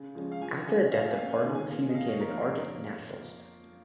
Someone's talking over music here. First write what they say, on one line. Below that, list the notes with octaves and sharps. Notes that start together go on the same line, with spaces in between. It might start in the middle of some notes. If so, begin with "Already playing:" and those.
After the death of Parnell she became an ardent nationalist.
Already playing: C#3
F3 G#3 C#4
F5
F3 G#5
C#4 F4 G#4 G#5
A#2 F5
F5
G#5
A#3 C#4 F5
G#5
D#3
G#5
A#3 F4 G#4
D#5
F2 F5
C#5
F3 A#3 F4 A#4